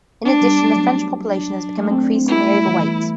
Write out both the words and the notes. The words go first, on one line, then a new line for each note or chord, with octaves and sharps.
In addition, the French population has become increasingly overweight.
B3 D4
G3
A3
F#3
D4
A3
C4
D4
C4
B3 E4
A3
G3
E3
E3